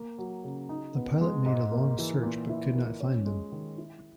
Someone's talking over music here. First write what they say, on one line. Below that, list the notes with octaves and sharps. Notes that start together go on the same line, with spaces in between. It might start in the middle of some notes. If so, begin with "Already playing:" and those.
The pilot made a long search but could not find them.
Already playing: A#3
F#3
C#3
D#4
B3
G#3
G#2
A#3
E3
A#2
E4
A#3
C#4
G#3
D#3
E4